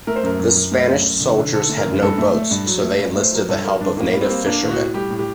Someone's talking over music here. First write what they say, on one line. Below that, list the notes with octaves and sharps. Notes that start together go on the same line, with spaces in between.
The Spanish soldiers had no boats, so they enlisted the help of native fishermen.
A3 A#4
C5
F#2 A#4
F#2
F#2
A3
F#2
F#2
D3
D3
D3 A4
A3
A#4
F#2
G2 A4
A3
A3
G2
F#3
A3
G2
A3
C5
F#3 A#4
G2 A4
F#3 A#4
G2 D4
A2 A#3
G3
C4
A#3
A#3 D4
A2
F#4
A2
G3 G4
A2
G4